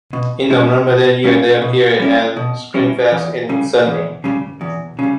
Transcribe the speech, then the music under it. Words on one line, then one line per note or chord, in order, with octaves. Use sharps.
In November that year they appeared at Screamfest in Sydney.
B2
G3 C#4 E4
B2
G3 C#4 E4
B2
G3 C#4 E4
B2
G3 C#4 E4
E2
C#3 G3
E2
C#3 G3
E2
C#3 G3